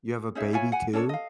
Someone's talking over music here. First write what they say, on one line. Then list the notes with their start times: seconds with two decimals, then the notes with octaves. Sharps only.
You have a baby too?
0.35 C#4 D#4 G#4 E5
0.53 E4 F4 C#5 G#5
0.72 F#5 G#5
0.93 C#4 D4 A4 C#5
1.09 D#5 F5